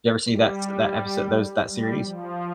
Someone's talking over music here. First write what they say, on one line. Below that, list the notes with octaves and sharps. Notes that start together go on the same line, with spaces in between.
You ever see that s that episode those that series?
G3
G3
F3